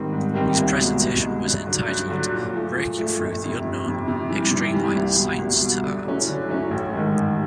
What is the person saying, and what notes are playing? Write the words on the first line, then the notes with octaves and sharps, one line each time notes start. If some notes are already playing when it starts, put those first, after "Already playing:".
His presentation was entitled "Breaking Through The Unknown: Extreme light, Science to Art".
Already playing: G#2 D#3 G3 C4
G#2
D#3 G3 C4
C2
B2 G#3
C2
B2 G#3
G2
D3 F#3
G2
D3 F#3
A#2
F3 A3
A#2
F3 A3
G1
F2 C3
G1
F2 C3
C3
E3 G3
C3
E3 G3
C2
B2 G3
C2
B2 G3
D3
F#3 A3 C#4 E4
D3
F#3 A3 C#4 E4
A1
G#2 D#3 G#3
A1